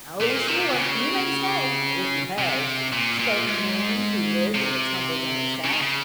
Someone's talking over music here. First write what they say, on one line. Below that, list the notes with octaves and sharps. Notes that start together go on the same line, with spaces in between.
"Oh, sure you may stay--if you pay!" spoke the man who lived in the tumble-down shack.
A#2
C3
C#3
C3
A#2
A#2
G#2
C3
C#3
D#3
C#3